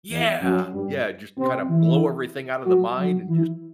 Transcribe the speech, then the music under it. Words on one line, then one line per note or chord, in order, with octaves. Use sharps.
Yeah. Yeah, just, kinda, blow everything out of the mind, and, just,
E2 E3
F#2 F#3
G2 G3
C3 C4
E3 E4
F#3 F#4
F#3 F#4
E3 E4